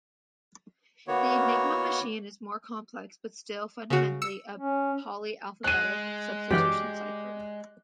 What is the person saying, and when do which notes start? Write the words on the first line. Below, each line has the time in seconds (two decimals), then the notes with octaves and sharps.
The Enigma machine is more complex but still fundamentally a polyalphabetic substitution cipher.
1.08 D#3 A#3 B3 F#4 C#5
3.90 C#3 F#4
4.22 E6 C#7
4.56 C#4
5.64 G#3 F#6 D#7
6.51 F#2 E3 G4 D5 G5 F6